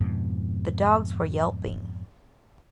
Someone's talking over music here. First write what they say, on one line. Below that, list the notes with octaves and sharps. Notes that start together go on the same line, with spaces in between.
The dogs were yelping.
F2 G#2 B2